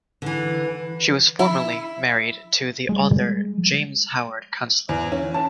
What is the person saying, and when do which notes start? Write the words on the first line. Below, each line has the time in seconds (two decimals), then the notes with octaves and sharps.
She was formerly married to the author James Howard Kunstler.
0.22 D3 E3
1.39 E4
2.89 G3 G#3
4.89 E2
5.12 C#4
5.34 A5